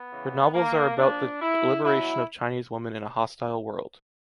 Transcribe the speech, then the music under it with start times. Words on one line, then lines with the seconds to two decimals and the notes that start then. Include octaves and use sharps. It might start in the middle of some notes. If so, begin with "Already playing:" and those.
Her novels are about the liberation of Chinese women in a hostile world.
Already playing: B3
0.12 C#3 E3
0.55 A#3
0.98 A#2 F3 D4
1.42 E4
1.84 B2 F#3 E4